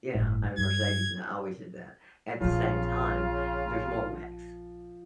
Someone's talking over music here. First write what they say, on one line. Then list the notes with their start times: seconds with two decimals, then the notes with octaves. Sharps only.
Yeah, I have a Mercedes, and I always did that. At the same time, there's more wrecks,
0.14 G1 A2
0.58 G2 G#6
2.40 A#1 C#3 F3 C4 F4